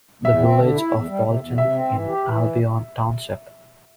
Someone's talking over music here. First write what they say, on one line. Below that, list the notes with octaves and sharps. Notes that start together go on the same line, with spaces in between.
The village of Bolton in Albion Township.
E2 E5
C4
D3
E4
E2
G3
C3
E2
C3 E5
C4
E3
G4
E3